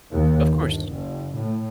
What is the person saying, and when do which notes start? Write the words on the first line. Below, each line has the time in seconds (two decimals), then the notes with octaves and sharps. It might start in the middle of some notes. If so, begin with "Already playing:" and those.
Of course,
0.11 D#2
0.49 G1
0.91 F#1
1.36 A2